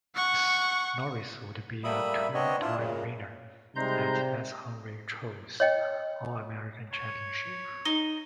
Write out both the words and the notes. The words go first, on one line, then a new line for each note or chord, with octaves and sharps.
Norris would be a two-time winner at S. Henry Cho's All American Championship.
F#5 C#6
G3 A3 A#3 E5 B5 D#6
B3 C4 D4 C#5 D#5
D4 E4 F4
F#2 A#2 C#3
C3 G3 G#3 D#4 A#5 C6 G6
C#5 D#5 G5
C#5
D#4 G7